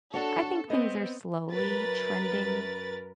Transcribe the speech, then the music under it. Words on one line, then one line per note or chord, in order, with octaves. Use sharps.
I think things are slowly trending
D4 F#4 A4 C#5
B3 C4 D#5
F#2 A#4 B4 A6